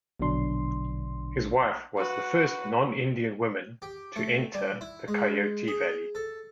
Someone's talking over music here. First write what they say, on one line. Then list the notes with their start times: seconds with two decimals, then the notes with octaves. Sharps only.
His wife was the first non-Indian woman to enter the Coyote Valley.
0.20 A#1 B2 D3 F#3 D4 C6
1.98 F#4 B4
3.82 G4
4.16 A3
4.54 G3
4.81 E4
5.08 G#3
5.68 G#4
6.15 A4